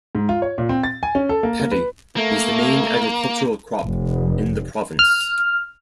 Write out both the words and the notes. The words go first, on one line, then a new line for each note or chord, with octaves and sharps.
Paddy is the main agricultural crop in the province.
G#2
F4
C#5
A#2
C4
A6
G#5
C#4
A4
A#3
A#3
B4
A3 A#3
F1
F6